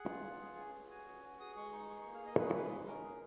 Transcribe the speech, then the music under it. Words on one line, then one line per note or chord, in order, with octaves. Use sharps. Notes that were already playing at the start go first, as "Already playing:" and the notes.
They were also responsible for repeated attacks on official sites of numerous other governments.
Already playing: G#4 F#5
F4
F4
G#4
C#4
G#4
F#4 G#5
C#4
F#4
G#4 D#6
G#3 C#6
D#4 C#6
G#4 C#6
C#6
A#3
F5
A#3 D#5
G#4 B4
C#5
G#3 B4
C#4
C#4 A#4
G#4